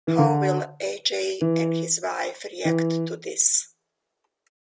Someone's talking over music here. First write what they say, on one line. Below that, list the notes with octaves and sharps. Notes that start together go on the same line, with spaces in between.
How will Ajay and his wife react to this?
E3
D3
E3
E3